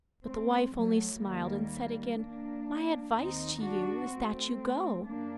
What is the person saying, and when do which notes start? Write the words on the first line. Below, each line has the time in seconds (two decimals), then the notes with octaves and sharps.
But the wife only smiled and said again, "My advice to you is that you go."
0.25 A3 C4
0.74 F#3 A3
1.22 D#2 D#3 G3 A#3
2.18 A#3 D4
3.14 D#2 D#3 C4 D#4
3.62 D4 F#4
4.10 A3 C4
5.06 F#2 A#3 D4